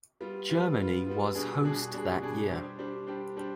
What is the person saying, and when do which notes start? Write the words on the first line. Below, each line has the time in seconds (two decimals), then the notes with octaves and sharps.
Germany was host that year.
0.20 G3 B3 F4
0.49 G3 B3 F4
0.77 G3 B3 F4
1.06 G3 B3 F4
1.35 B2 G3 D4 G#4
1.64 B2 G3 D4 G#4
1.93 B2 G3 D4 G#4
2.22 B2 G3 D4 G#4
2.50 G3 D4 G4 C5
2.79 G3 D4 G4 C5
3.07 G3 D4 G4 C5
3.37 G3 D4 G4 C5